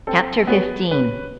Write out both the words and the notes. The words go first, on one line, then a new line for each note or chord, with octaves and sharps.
Chapter XV.
C4 A4
B3 F#4 G#4 B4 C#5
C#4 B4